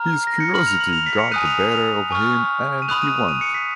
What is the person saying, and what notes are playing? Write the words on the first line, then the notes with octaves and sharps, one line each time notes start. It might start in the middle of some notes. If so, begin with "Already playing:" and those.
His curiosity got the better of him and he went.
Already playing: A#5 F6
A#6
C#7
B5 F6 F#7
F7
F#7
F7
B6
C#7
G#5 D#6 F#6 D#7
F7
F7
F7
G#5 C#6 F6
D#7
B5 D#6 F#6 F7
D#7
F7
D#7
C#7
B6